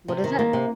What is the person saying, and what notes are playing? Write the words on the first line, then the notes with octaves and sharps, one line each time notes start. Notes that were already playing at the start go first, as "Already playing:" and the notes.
What is it?
C3
D#3
A#3
C3